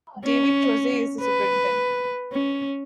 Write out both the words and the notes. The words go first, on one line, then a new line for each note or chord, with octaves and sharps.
David Kroeze is the Superintendent.
C#4
B4
C#4